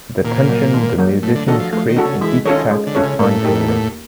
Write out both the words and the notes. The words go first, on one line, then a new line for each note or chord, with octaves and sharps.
The tension the musicians create in each track is spine tingling.
A#2 D#3
F#3 A#3
D#3
F#3 A#3
A2 A3
D3
D#3 D4 F#4 A4
F3
F3 A3
D#3
D4 F#4 A4
C#3
E3 G#3
D#3 C#4 F4 A4 C#5
G#3
D3
C#4 F4 A4 C#5
C#3
A2 A#3
D#4 G4 A#4
A#3